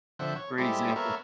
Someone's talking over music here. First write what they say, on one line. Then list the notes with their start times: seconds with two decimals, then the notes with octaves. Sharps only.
great example.
0.19 D3 F3 C4 E5 F#5 G5
0.36 C#5
0.58 G3 G#3 C4 E4 G4 A4
0.96 A#3 B3 A4 A#4 C#5 E5